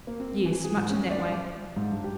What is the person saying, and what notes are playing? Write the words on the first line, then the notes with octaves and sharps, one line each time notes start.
'Yes, much in that way.
A#3
C4
E3
G#4
G#2
C#4
D5
D6
G#2
G2
G4